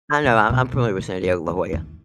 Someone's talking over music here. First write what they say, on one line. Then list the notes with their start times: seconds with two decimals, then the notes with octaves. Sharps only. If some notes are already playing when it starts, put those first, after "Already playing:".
I know. I I'm familiar with San Diego, La Jolla.
0.24 B2
0.50 B2
0.73 B2
0.98 A2
1.23 F#2
1.48 E2
1.73 E2